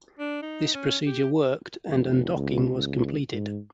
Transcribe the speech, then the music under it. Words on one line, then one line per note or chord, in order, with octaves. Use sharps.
This procedure worked and undocking was completed.
D4
D#4
C#4
G4
F1
C#2
C#2
G#2